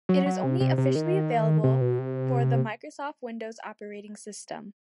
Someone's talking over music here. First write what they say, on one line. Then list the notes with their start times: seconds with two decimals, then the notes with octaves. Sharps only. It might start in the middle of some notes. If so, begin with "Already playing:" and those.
It is only officially available for the Microsoft Windows operating system.
0.09 F#3
0.26 F#3
0.43 C3
0.60 C3
0.78 C3
0.95 D#3
1.64 C3
1.81 B2
1.99 C3